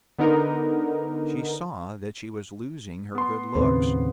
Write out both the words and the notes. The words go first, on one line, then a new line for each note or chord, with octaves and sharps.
She saw that she was losing her good looks.
D3 B3 D#4 A#4
B3 C6
D#2 A2 C#3 C4 B4 C5